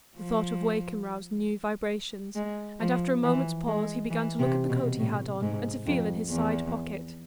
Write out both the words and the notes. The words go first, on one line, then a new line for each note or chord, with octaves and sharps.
The thought of Wakem roused new vibrations, and after a moment's pause he began to look at the coat he had on, and to feel in his side-pocket.
F3
G#3
F3
E3
G#3
E3
C3
B2
A2
G#2
F2
E2